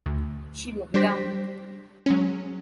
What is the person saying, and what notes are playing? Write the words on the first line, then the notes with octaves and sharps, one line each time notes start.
She'll be down.
D2
G3 D4 G4 C5 A#6 B6
F#3 G#3 C#4